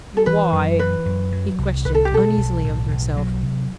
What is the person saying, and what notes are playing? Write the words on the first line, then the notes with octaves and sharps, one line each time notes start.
"Why?" he questioned uneasily of himself.
A4
E3 B4
F#2
E3 B4
F#2
F#3
C2
C2 B4
A4
G4
B2 A4
B1
A2
B1
F#3
C3